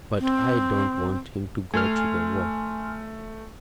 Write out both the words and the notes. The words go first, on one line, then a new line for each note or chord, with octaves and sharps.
But I don't want him to go to the war.
C4
A3 G#5 C6 F6